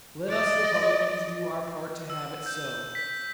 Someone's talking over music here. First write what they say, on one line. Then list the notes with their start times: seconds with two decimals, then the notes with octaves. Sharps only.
Let us Republicans do our part to have it so.
0.29 D5 D#5
2.10 E6
2.46 G6
2.95 B6